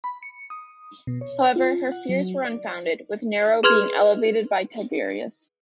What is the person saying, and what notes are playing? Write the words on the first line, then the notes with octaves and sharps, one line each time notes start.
However, her fears were unfounded, with Nero being elevated by Tiberius.
B5
C#7
D#6
B2
C#5
F4
F#5
F#3
D5
G#4 B4 C6 F6 G#6 F7